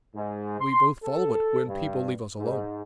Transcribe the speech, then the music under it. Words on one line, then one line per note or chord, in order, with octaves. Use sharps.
We both follow it, when people leave us alone.
G#2
C6
A4
G2
G#2